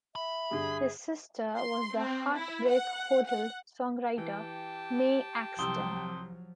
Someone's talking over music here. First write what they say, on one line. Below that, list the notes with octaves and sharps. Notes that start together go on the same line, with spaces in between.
His sister was the "Heartbreak Hotel" songwriter Mae Axton.
E5 B5
G2 D3 G#4
C6
C4
E4
F#5
F#5
E3 G4 G5 A5
C2 C3 F3 F#3 C6 D#6 E6 G7